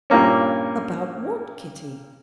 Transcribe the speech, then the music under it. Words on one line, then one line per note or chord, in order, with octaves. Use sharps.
"About what, Kitty?"
G2 A#2 A#3 C#4